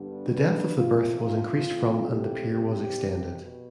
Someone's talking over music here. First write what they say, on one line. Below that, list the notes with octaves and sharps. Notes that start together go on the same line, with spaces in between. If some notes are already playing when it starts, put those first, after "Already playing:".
The depth of the berth was increased from and the pier was extended.
Already playing: G2 D3 G3 B3 D4
B4
E2 C3 F3 A3 F4
F4
A2 F3 A3 C4
G4
C3 G3 C4 G4
B2